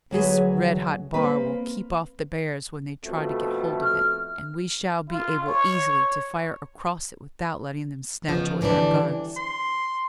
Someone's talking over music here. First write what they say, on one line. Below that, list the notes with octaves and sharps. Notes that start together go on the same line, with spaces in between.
"This red-hot bar will keep off the bears when they try to get hold of it, and we shall be able easily to fire across it without letting them snatch away our guns."
D2 F#3 G#4 B4
A#3 C4 B4
F2 B2 A3
F6
F4
C#5
C#3 F3 G#3 B3
D3 E3 G3 C#4 D4
C6